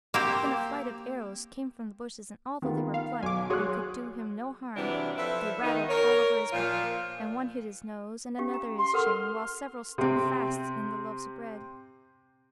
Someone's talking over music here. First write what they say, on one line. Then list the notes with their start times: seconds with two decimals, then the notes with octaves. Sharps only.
Then a flight of arrows came from the bushes, and although they were blunt and could do him no harm they rattled all over his body; and one hit his nose, and another his chin, while several stuck fast in the loaves of bread.
0.14 A#3 C4 G4
2.62 D#3 B3 F4
2.94 F5
3.23 B1 G#5 D6
3.50 F#4 G#4 C#5 C6 F#6
4.77 C3 E3 F#3 G3 D4 E4
5.18 F3 E4 A4 B4 E5
5.63 D#3 B3 D#4
5.88 A#4 C#5
6.53 A#2 F3 F4
8.38 C#4 G4 F5
8.54 A#5
8.78 C6
8.94 A4 A#4 F#5 F6
9.98 C3 C4